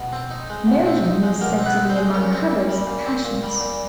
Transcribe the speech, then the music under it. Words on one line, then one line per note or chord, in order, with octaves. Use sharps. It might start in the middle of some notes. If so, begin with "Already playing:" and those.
Motion was said to be among Hubbard's passions.
Already playing: B2
C4
D#4
G#3
B2
C4
D#4
G#3
B2 A#3 A#4
C4
B3 B4
D#4
C4 C5
G#3
A#2 C#4 C#5
C4
A#2
G3
A#2
C4
A#2
G3
A#2